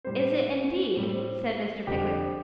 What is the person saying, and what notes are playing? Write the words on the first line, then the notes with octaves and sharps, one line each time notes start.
'Is it, indeed?' said Mr. Pickwick.
A2 G3 C4 C5
A2 G3 C4
F2 D3 G3 C4 G4